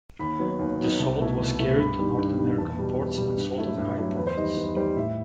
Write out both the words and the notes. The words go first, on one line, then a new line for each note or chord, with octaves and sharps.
This salt was carried to North American ports and sold at high profits.
D#2 B5
D#3 F#3 B3 D#4
D#2
D#3 F#3 B3 D#4
C2 A5
B2 A3 E4
C2
B2 A3 E4
G2 B5
D#3 G3
G2
D#3 G3
E2 A5
B2 G3
E2
B2 G3
G2
F#3 A3 E4
G2
F#3 A3 E4
E2 B4
C5
D#3 G3 D#5
E2 B4
D#3 G3 C5
A2 E5